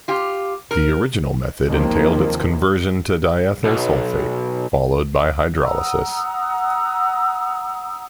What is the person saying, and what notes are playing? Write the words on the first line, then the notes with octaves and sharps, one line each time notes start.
The original method entailed its conversion to diethyl sulfate, followed by hydrolysis.
F4 G4
A#4
D#2 C3 D#3 F3 A#3
B1
F#5 A#5 D#6 E6